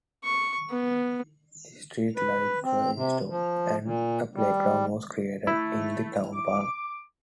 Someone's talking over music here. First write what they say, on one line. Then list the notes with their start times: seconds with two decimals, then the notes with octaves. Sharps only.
Street lights were installed, and a playground was created in the town park.
0.24 C#6
0.70 B3
2.17 B4
2.64 C4
2.95 C3
3.29 F3
3.83 A#2
4.35 G3
5.47 A3 E4
6.34 D6